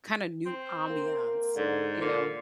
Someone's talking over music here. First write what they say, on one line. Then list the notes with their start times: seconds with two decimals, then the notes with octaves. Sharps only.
kind of new ambiance, you know.
0.46 C4
0.90 A#3
1.56 G#2 D3
2.01 A#2 D3